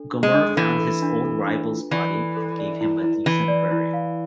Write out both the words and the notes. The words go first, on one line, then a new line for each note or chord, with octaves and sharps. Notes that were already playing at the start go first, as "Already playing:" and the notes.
Gomurr found his old rival's body, and gave him a decent burial.
Already playing: D4 A4
D4
G#3
D4
E3 A4
A4
D4
A4
D4
F4
E3 D5
A4
A4
D5
E4
E4
E3 E4
D5
E4
F5